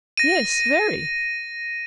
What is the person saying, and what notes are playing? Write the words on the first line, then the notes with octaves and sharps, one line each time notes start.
"Yes, very."
A#6 D#7